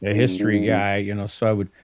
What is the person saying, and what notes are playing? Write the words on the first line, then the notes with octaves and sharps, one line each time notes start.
a history guy, you know, so I would
G#2
F#2
G#2
G#2
F#2